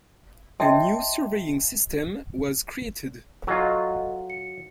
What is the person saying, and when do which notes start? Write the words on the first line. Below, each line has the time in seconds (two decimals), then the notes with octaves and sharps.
A new surveying system was created.
0.60 C#5 D#5 E5 G5 A5 C6
3.47 F#3 F4 A4 D#5 F#5
4.30 C#7